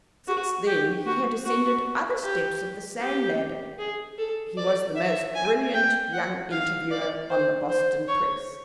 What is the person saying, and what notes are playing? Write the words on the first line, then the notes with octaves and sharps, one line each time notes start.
Since then he had ascended other steps of the same ladder; he was the most brilliant young interviewer on the Boston press.
F#4
G4
F#4
F#4
G4
G4
G#4
A4
D5
E5
G#5
G5
F#5
F5
D5
C5
C5
C#5